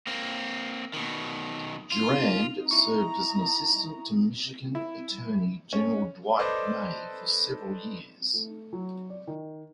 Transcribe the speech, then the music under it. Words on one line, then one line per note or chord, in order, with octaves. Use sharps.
Durand served as an assistant to Michigan Attorney General Dwight May for several years.
A#3 C4
B2 D#3
F4
E4 A#5 C#6
E4
C#4
A4 B4 C5 D5 D#5 D6
A3
F#3
D5
D#3